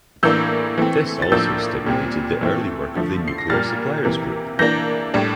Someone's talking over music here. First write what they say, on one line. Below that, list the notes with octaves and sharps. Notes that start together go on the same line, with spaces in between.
This also stimulated the early work of the Nuclear Suppliers Group.
A2 E3 A#3 D4 E6 G6
E3 A3 C4
A6
A2 F3 A#3 D4 E6 G6
A#2 G3 C4
E3 A3 C4
D3 F3 A3
C7
A#6
A#2 G3 A#3 F6 A6
C3 E3 A#3
E3 A#3 D4 G6 A#6
A2 G3 D4